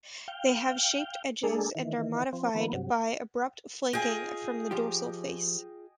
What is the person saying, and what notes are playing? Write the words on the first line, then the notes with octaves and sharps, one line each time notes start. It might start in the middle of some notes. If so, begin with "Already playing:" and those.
They have shaped edges and are modified by abrupt flaking from the dorsal face.
F5 G5
G#3 A#3 D4 G#4 A4
D#3 E3
F3 C4
D#3 F3 A#3 B3
G2 C3 F#3
F4 G#4 D#5 G5 G#5
F3 G4